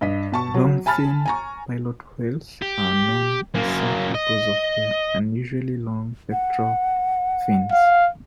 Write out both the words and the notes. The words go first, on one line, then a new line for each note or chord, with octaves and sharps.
Long-finned pilot whales are known as such because of their unusually long pectoral fins.
G2 D#5 B6
B2 A5 C#6
F#3
G#5 A5 B5 F6 A6
G#5 A#5 C#6
G4
F#2 A#3
D#5
F#5
F5